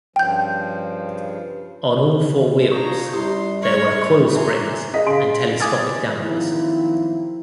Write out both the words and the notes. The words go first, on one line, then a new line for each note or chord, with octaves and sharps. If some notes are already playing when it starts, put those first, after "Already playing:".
On all four wheels there were coil springs and telescopic dampers.
G2 C#3 F3 G5 G6
D4 F4 C5 C#5 A#5 C#6 D#6
F#2 G3 E4 G4 C6 D#6
A#4 C#5
A3
E4 A#4 D5 E5 G#5 C6
G#4 D#5 B6
C#3 G#4 C6 D7
G#5 D6 D#6 G#6 A6
D#3 F3 F#3 A#3 C4 E4